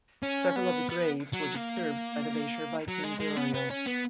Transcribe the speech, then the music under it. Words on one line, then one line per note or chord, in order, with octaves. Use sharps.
Several of the graves were disturbed by the later Viking burial.
C#4
B3
B3
F#3
A#3
F#3
G#3
G#3
B3
B3
C#4
B3